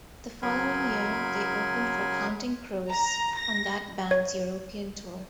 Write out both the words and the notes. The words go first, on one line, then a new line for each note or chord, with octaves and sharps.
The following year they opened for Counting Crows on that band's European tour.
C#3 F#3 A#4 G#5 B5 C6
A#5
A#6
C#5